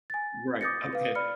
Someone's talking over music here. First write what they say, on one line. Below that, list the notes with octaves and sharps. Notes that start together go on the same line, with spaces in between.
Right, okay.
G#5 A6
D6 D#6 G6 A6 A#6 C#7
B4 F5
D5 B5 F6 C#7